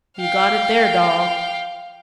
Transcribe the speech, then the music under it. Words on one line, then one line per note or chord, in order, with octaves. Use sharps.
'You got it there, Doll.
F5 G5